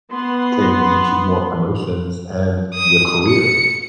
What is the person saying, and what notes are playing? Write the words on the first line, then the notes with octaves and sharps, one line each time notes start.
can lead to more promotions, and be a career.
B3 C6
D#6
C#7